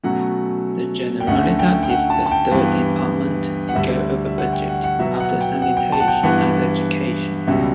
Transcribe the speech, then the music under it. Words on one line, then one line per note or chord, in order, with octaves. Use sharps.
The Generalitat is the third department to go over budget, after Sanitation and Education.
B2 F#3 A3 C#4 F#5
G5
D2 D3 A3 C#4 F#5
G5
G5
F#5
A5
A5
G5
G2 E3 B3
F#5
D2 D3 G3 E5
E5
F#5
G5
F#5
F#5
B2 F#3 B3 E5
F#5
G5
F#5
G5
A5
F#5
G5
G2 E3 B3 F#5
C#2 B2 G3 C#4 E5